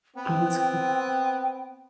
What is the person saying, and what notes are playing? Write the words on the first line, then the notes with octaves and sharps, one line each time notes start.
Oh, that's cool.
B3 C4 G5